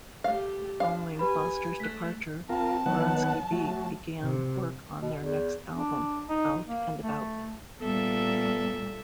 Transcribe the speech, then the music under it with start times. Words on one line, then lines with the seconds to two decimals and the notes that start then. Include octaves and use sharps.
Following Foster's departure, Bronski Beat began work on their next album, "Out and About".
0.24 A3 G4 F5
0.80 D4 F5
1.19 G4 B4 G#5 B5
1.80 A3 F#6 B6
2.49 C4 F4 A#4 A5
2.86 D#3 F#3 B3 F#5
3.52 F#3 A3
4.22 C3
5.02 B2
5.19 E2
5.71 D4
6.29 D#4
6.67 A#3
7.00 A3
7.81 A#2 G3 B3 A4 E5